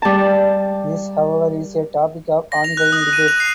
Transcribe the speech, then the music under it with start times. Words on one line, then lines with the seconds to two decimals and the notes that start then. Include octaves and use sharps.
This however is a topic of ongoing debate.
0.02 G3 A5
2.52 A#6
2.64 F7
2.77 F#6
2.92 D#6
3.13 D#7
3.28 F7
3.40 C7